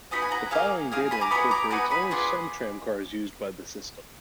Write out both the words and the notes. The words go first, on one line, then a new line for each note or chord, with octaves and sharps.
The following data incorporates only some tram cars used by the system.
B3 D#4 F#4 G#5 B5
G#5
F#5 A#5
A#3 D#4 G#4 F5 G#5
A#3 D#4 G#4 F5 G#5
G#5 B5
A#5 D6
B3 D#4 F#4 G#5 B5
A#5 D6
B3 D#4 F#4 G#5 B5
G#5 B5
B3 D4 F4 G#4